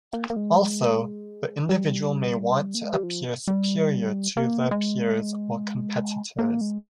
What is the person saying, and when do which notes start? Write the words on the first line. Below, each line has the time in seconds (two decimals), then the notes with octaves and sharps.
Also, the individual may want to appear superior to their peers or competitors.
0.13 A#3
0.30 A#3
0.36 G#3
1.69 G3
2.75 A#3
2.85 G#3
2.94 G3
3.03 F3
3.48 G3
4.37 A#3
4.71 G#3
6.39 A#3
6.61 G#3